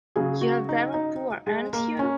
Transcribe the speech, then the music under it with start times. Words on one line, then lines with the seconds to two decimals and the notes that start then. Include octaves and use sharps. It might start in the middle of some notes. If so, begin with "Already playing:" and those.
You are very poor, ain't you?
0.16 C#3 F#3 G#4
0.41 F#4
0.69 D#4
0.94 D#4
1.47 G#3
1.73 A#3
1.99 C#4